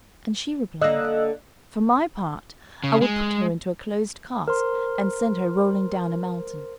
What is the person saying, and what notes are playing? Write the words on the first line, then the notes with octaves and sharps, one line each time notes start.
And she replied, "For my part, I would put her into a closed cask, and send her rolling down a mountain."
D3 A#3 D#5 E6 F#6
C#3
G#3
A#4 C5 C6